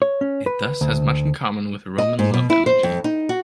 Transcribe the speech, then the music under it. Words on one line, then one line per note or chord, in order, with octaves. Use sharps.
It thus has much in common with Roman love elegy.
C#5
C#4
B4
D2
D#5
G#2
B2
E4
C5
F2
D#4
F#4